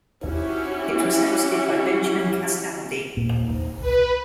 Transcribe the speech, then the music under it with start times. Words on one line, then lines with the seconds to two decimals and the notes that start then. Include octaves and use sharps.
It was hosted by Benjamin Castaldi.
0.24 C#4 E4 F#4 G4
3.17 A#2
3.81 B4